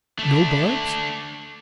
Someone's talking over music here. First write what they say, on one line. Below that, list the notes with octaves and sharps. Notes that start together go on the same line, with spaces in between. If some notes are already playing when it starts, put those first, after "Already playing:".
"No barbs?"
A3 D4